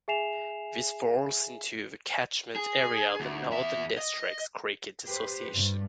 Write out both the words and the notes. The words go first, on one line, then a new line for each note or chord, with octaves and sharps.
This falls into the catchment area of the Northern Districts Cricket Association.
G#4 E5 G#5 C7 E7 F7
G#4
D2
E2 E5
D#5
G4 B4 C5
G2